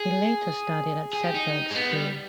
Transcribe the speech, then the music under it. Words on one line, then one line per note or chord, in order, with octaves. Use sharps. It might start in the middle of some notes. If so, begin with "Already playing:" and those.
He later studied at Sedbergh School.
Already playing: G#4
G#4
G4
D#4
G#3
B3
G3